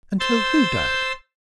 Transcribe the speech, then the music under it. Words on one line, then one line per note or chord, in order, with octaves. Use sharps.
"Until who died?"
C5 C6 E6 G6 A6